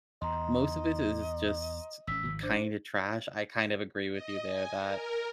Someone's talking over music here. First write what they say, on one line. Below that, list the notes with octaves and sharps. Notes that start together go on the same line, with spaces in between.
Most of it is just kinda trash. I kind of agree with you there that
E2 D#5 A#5 C6
G#1 C#4 E6 B6
G#1 D#3 F3
D4 C5
D#5
G#5
A#4